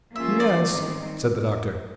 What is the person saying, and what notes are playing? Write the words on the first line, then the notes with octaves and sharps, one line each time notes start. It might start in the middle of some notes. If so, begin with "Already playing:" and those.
"Yes," said the doctor.
F3 A#3 C#4 F4 G#4 E5
D5
G#2 D#3 G3 C4 D#4